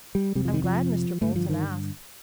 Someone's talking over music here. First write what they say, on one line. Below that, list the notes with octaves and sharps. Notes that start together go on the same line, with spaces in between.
"I'm glad Mr. Bolton asked."
G3
F2 C3 G3
F3
D#3
F3
G2 D3 A3
F3
D#3